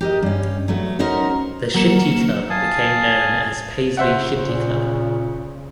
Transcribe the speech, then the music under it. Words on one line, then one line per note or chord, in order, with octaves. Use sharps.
The shinty club became known as Paisley Shinty Club.
G4 A#4 D#5
G2 C#4
F#3 A3 B3
C#4 D#4 F#4 A#4 C5
F#3 A#3 C#7 E7
F5 G#5 A5 D#6
C#3 C5 E5 F#5
A#2